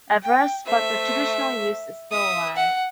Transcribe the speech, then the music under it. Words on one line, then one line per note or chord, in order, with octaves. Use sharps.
Everest, but the traditional use is still alive.
G5
A3 C5 E5
E5 D#6
F#5